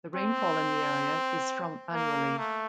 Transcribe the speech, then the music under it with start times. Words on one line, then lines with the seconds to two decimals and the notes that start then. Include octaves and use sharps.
The rainfall in the area is from annually.
0.16 C4
1.94 A#3
2.38 A3